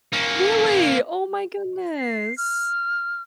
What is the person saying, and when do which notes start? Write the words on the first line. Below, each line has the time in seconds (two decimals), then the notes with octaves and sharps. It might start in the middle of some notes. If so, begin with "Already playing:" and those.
Really? Oh my goodness!
0.13 A#3 C#4
1.97 C7
2.38 F6